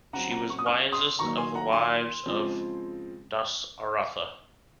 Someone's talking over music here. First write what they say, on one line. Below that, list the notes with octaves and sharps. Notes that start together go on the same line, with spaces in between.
She was wisest of the wives of Dasaratha.
C#3 F#3 C4 F#5 A#5
F#5 A#5
C#6
D#6
C#6 F6
C6 D#6
D#3 F#3 A#3 A#5 C#6
G#5 C6
F#5 A#5
G#5 C6
C#3 F3 G#3 C4